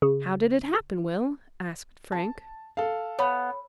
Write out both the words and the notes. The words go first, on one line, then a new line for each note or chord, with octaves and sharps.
"How did it happen, Will?" asked Frank.
C#3
A5
A4 F5
B3 C#5 B5